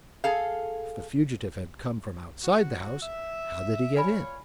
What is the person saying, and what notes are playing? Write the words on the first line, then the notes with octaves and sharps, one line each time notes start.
If the fugitive had come from outside the house, how did he get in?
G#4 A4 F5
F#4
E5
F4 C#5 D5 G#5 B5